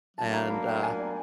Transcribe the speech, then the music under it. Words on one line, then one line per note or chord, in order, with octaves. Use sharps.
And, uh
F#3 A#3 D4 A5
A#5
B5
G5
G#5
D5